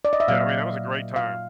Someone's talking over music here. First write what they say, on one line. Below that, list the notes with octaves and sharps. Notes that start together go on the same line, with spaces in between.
Yeah, I mean, that was a great time.
D5
D#5
E5
A#2 F#3 A#3 F5
F5